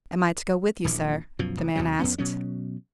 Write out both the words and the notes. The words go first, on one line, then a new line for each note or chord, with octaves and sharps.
"Am I to go with you, sir?" the man asked.
D#1 A#1 E3
F#2 B2 F3
F1
D#2 C3 F#3
F2 B3 C#4
B2 F#3 C#4